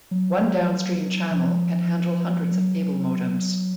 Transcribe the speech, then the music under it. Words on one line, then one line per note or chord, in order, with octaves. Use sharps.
One downstream channel can handle hundreds of cable modems.
F#3
F3
F#3